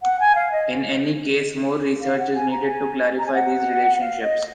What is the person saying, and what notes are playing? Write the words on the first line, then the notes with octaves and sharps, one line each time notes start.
In any case more research is needed to clarify these relationships.
F#5
G#5
F5
D#5
F5
F#5
G#5
A#5
G#5
A#5
G#5
F#5
F5
D#5